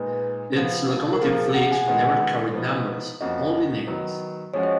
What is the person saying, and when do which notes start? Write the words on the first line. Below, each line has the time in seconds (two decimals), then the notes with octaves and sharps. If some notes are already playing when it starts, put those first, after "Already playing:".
Its locomotive fleet never carried numbers, only names.
Already playing: A#2 G#3 D#4 B4
0.55 F3 B3 F4
1.13 A#4
1.21 F3 A#3 F4 G#4
1.38 G#4
1.54 F#5
1.72 G#5
1.87 D#3 G#3 B3 D#4 F#4 F#5
2.54 F3 B3 D#4
3.21 F2 F3 A#3 C#4 F#4 D#5
3.87 D#3 F#3 B3
4.54 F3 G#3 C#4 F#4 C#5
4.63 D#5